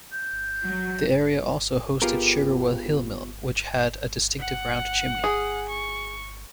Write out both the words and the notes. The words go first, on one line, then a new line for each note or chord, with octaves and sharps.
The area also hosted Sugarwell Hill Mill which had a distinctive round chimney.
G6
F#3
B3 F4 G4 G#4 A#4
F#5
G#4
C#6